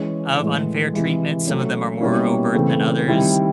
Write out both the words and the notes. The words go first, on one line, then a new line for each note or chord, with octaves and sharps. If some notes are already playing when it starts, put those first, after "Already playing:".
of unfair treatments. Some of them are more overt than others.
Already playing: E3 G#3 C#4
A2 E3 G#3
C3 E3 G#3
F#3 A3 C#4
B2 G3 A#3 C#4 E4
C#3 E3 A3 C4
D#3 G3 C4 E4